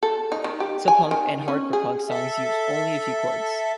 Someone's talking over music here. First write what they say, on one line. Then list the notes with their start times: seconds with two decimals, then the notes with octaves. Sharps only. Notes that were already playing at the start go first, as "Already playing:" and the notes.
Some punk and hardcore punk songs use only a few chords.
0.03 A4
0.32 D#4
0.44 D#3
0.60 G4
0.88 G#5
1.11 D#3
1.48 C#4
1.73 G#4
2.09 A4 E5